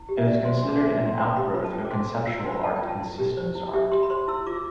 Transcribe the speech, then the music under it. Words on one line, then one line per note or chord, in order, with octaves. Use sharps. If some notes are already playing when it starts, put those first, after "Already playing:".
It is considered an outgrowth of conceptual art and systems art.
Already playing: E4
G4
E5
D4 D5
E5
C5 C6
C6
D4
D6
C5 E5
E5
D4
C6
C5 C6
G4 B5
F4 B5
A5
F4 G5
D6
C5 C6
A4
F4 E6
C6
C5
B5
A4 A5
G5
F4
A5
E4
G4
C5
E4
G4 E5
G4 C6
B5
C5 C6
E4 E6
F4 D6